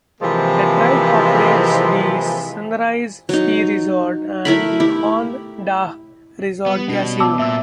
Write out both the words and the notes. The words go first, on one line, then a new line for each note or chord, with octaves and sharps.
The tribe operates the Sunrise ski resort and the Hon-Dah Resort Casino.
C3 E3 F3 G#3 A#3 C4
F#3 D#4
A3 E4 A#4 B5
E4 G4
G3 B3
B2 C#4 D4 F#4
B3 A5 D6 E6
A#2 E5 E6